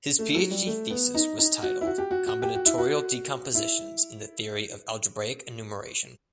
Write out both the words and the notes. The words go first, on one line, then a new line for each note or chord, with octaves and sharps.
His PhD thesis was titled "Combinatorial Decompositions in the Theory of Algebraic Enumeration".
A3
F#3
G3
A3
B3
D#4
D#4
F#4
E4
F#4
G4
F#4
F#4
G4
F#4
E4
F#4
E4